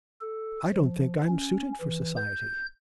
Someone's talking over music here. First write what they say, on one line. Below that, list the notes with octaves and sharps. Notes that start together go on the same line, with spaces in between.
'I don't think I'm suited for society.'
A4
F3
C#4
E3
G6